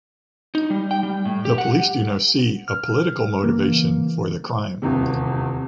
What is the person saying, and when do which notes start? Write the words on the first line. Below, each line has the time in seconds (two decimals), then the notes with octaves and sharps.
The police do no see a political motivation for the crime.
0.55 D#4
0.70 G3
0.91 G5
1.03 G3
1.25 A2
1.45 G4
1.58 F#5
2.68 F6
3.43 C#3 E3 A#3
4.82 D#1 E2 C3